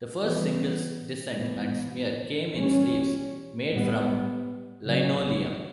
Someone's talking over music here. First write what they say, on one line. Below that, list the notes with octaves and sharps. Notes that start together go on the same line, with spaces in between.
The first singles, "Dissent" and "Smear", came in sleeves made from linoleum.
E3 G3 B3
A2 E3 B3
E3 G3 C#4
A2 G3 B3
C#3 F#3 C#4